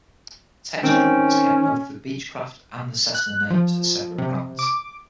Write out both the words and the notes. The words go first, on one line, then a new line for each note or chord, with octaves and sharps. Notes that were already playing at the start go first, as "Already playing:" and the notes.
Textron has kept both the Beechcraft and Cessna names as separate brands.
D#3 C4 C#4
F#6
F3
C3
D6